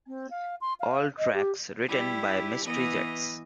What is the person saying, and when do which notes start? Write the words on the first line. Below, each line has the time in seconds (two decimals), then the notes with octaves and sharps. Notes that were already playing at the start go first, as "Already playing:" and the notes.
All tracks written by Mystery Jets.
0.07 C4
0.30 F5
0.61 C6
0.80 F5
1.18 D#5
1.33 G4
1.87 G3 E4 G4
2.65 E3 B3 D#5